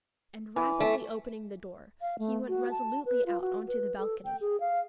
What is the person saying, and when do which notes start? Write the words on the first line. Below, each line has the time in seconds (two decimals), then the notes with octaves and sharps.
And rapidly opening the door he went resolutely out onto the balcony.
0.56 E3
0.80 A3
2.01 F5
2.19 A3
2.49 F#4
2.71 A5
3.06 B4
3.26 F4
3.41 F#4
3.68 B4
3.98 A4
4.25 G5
4.41 G#4
4.60 F5